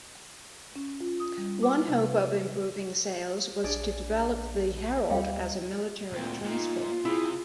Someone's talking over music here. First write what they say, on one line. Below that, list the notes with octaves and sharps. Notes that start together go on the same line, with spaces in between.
One hope of improving sales was to develop the Herald as a military transport.
C#4
F4
D#6
G3
D6
C3
B4
A#1 D4 G#4 D5
D2 G3 D#5 F5 G5
D2 A#2 C4 G5
A#2 D#4 F4
C3 E4 G#4